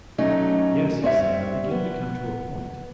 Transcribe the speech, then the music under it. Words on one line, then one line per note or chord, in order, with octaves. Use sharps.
'Yes,' he said, 'I begin to come to a point.
F#3 A3 C#4 D#4
G3 C4 C#5 E5
B3